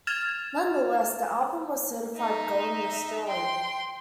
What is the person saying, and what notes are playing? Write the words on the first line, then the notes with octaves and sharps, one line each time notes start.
Nonetheless, the album was certified gold in Australia.
F6 G#6 A6 E7 F7
D#4 E5
G5 C6